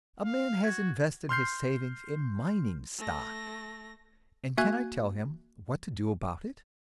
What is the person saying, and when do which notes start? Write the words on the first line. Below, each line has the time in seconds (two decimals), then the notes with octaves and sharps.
A man has invested his savings in mining stock, and can I tell him what to do about it?
0.25 F5
0.64 F#4 G#6
1.29 C6 F6 G6 C7
2.98 A3 A#6
4.58 A#3 F#4 E5 G#5 F#6 G#6